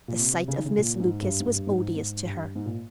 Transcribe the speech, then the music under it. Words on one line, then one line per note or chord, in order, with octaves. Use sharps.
The sight of Miss Lucas was odious to her.
A#2
C3
C#3
D#3
C#3
A#2
G#2
G2
G#2
G2
G2
G#2
G#2
G2
G#2
A#2